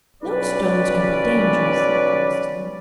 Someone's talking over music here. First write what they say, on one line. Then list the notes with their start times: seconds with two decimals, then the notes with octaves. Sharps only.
"No stones can be dangerous," said Mrs. Low.
0.23 B1 G2 C#4 B4 D5